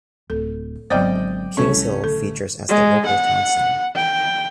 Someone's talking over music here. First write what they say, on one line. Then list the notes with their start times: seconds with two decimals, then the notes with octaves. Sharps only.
Kings Hill features as the local town centre.
0.30 D1 A4
0.90 G#1 D3 F#3 B3 C5 D5 D#5 G5
1.57 C2 E3 A3 C#4 C#6
2.04 A1 D3 A4
2.69 G#3
3.06 F#5
3.96 G5